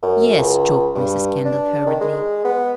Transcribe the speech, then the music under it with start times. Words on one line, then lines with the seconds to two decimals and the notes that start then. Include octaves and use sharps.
"Yes," choked Mrs. Kendall, hurriedly.
0.03 F#2
0.38 C#2
0.95 G2
1.45 D4
1.86 D#3
2.01 G#3
2.45 B3